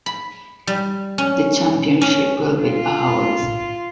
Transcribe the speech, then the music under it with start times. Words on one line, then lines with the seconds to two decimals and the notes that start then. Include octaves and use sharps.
The championship will be ours!
0.06 B5
0.67 G3
1.18 C#4
2.01 C#4
2.62 F4